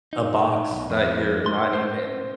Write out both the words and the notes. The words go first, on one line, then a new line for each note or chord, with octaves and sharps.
a box that you're not even,
D#4
B1
F2
C6
C5